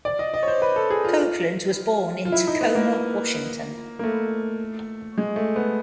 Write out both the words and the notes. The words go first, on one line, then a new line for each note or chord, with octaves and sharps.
Copeland was born in Tacoma, Washington.
D5
D#5
D#5
C#5
C5
B4
A4
G#4
F4
F4
E4
D#4
B3
A#3
A#3
A3
G#3
A3
B3